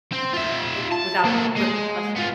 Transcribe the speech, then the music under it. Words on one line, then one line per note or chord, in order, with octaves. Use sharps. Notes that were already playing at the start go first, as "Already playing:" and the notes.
uh, without repercussion
C4
F4 E5
A5
A#3 A4
G#3
B3 F4